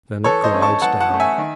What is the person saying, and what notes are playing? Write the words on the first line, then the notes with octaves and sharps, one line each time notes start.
Then it glides down.
E3 A4 C#5
C5 D#5
A3 C#4
A5 C#6
E3 F#5 A5
F#5 A5
A3 C#4
E5 G#5
D#3